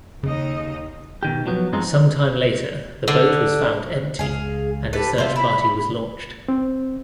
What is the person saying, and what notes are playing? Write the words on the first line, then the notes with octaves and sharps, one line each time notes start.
Sometime later, the boat was found empty, and a search party was launched.
D#2 C#3 D#4 D#5
B2 D#3 G4
F3 F#3 B3
G2 F3 G#3 C4 D#4
D3
C#2 G#4 F5
G4 A4 B4
C3 B3 C4 F4 C5 E5
E4 B5
C4